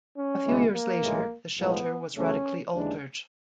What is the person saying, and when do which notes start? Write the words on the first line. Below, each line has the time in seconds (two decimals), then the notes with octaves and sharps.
A few years later, the shelter was radically altered.
0.16 C#4
0.44 D2 C3 E3 G#3
0.73 A#3
1.01 A#1 A2 E3 G#3
1.58 B1 A2 F3 G#3 B3
2.16 E2 C#3 F#3 A3 C#4
2.73 D#2 C#3 E3 G#3 D4